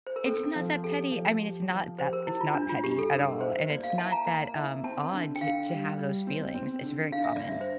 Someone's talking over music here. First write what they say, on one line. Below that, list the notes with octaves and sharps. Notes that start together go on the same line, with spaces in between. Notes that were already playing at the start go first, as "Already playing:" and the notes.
It's not that petty, I mean, it's not that it's not petty at all, and it's not that, um, odd to to have those feelings, it's very common.
C5
A#4
C4 A4
F3
G4 A4
F3
G4
F3
G4 C5
A#4
E4 G4
F4
G2 D4
F4
G2 G4
A4
G2 A#4
E4 C5
A#3 D5
F5
E4 A5
A#5
A#3 A#5
E4
C4 A5
D3
G5
D3 F5
G3
G3
C4
C4
D3
D3 F5
E5
G2 D5
E5
C5